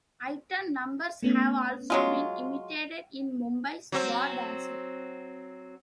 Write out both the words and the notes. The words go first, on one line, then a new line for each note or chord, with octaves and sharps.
Item numbers have also been imitated in Mumbai's bar dancers.
A3 B3 C#4
F#3 G#3 F4
F#3 C4